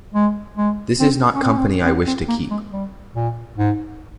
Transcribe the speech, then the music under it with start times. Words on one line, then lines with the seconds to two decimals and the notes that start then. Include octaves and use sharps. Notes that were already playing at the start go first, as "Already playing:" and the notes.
This is not company I wish to keep.
0.14 G#3
0.57 G#3
1.00 C4
1.35 C#4
1.42 C4
1.50 C#4
1.57 C4
1.85 C4
2.07 C4
2.28 A#3
2.50 G#3
2.71 G3
3.15 A#2
3.58 G#2